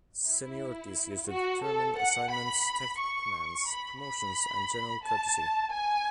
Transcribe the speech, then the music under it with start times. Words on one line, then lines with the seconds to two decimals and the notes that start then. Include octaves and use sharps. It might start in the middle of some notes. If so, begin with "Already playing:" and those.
Seniority is used to determine assignments, tactical commands, promotions and general courtesy.
0.26 E4
1.29 F#4
1.64 A4
1.98 F#5
2.32 B5
3.00 C#6
3.68 B5
4.02 B5
5.04 A5
5.72 G#5